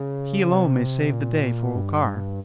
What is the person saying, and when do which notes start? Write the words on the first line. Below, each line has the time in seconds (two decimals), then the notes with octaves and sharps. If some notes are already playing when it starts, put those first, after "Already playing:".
He alone may save the day for Okar.
Already playing: C#3
0.52 C3
1.13 A#2
1.75 G2